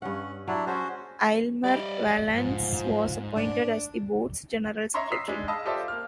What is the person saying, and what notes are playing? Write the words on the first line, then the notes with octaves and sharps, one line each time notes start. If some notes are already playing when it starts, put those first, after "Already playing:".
Aylmer Vallance was appointed as the board's General Secretary.
G2 C#4 F#5
F#3 D4 E4
C#4 F#4 G#4 C5
G3 D5 D#5
G#2 F3
D4
C#5 D#5 E5 A#5 C6 C#6
D#6 E6 B6 C7
G#3 D4 D#4
D#5 F5 A5 B5 D#6 E6
F4 G4 A4 C5 D5 E5
A#3 F6